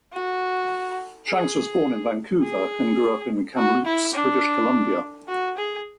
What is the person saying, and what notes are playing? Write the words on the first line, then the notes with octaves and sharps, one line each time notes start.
Shanks was born in Vancouver, and grew up in Kamloops, British Columbia.
F#4
G#4
G#4
F#4
E4
D4
F#4
G#4